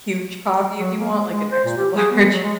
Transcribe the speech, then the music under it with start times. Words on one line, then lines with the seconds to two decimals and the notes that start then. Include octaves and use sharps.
huge coffee if you want, like an extra large,
0.78 F#3
1.00 A#3
1.11 G#3
1.32 G#3
1.52 C5
1.65 A#2
1.77 G4
1.96 G#4
2.11 B3
2.31 F#3
2.43 G#3